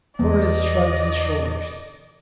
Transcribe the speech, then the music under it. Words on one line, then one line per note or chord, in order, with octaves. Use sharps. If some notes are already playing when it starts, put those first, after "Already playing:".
Torres shrugged his shoulders.
E2 D5 D#5